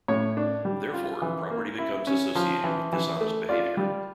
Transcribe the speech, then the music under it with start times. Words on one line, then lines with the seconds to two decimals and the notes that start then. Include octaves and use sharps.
Therefore, property becomes associated with dishonest behaviour.
0.08 A2 C#5
0.37 D4
0.65 G3
0.93 F4
1.22 E3
1.50 A#3
1.79 E4
2.07 C#4
2.35 F3
2.64 E3
2.93 E3
3.20 A3
3.49 F4 D5
3.77 G3